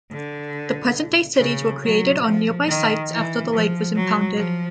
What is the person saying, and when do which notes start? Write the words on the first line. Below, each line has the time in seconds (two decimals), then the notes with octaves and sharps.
The present-day cities were created on nearby sites after the lake was impounded.
0.12 D3
1.39 C#3
1.82 F#3
2.24 F3
2.67 D#3
3.10 E3
3.52 F3
3.95 F#3
4.37 F3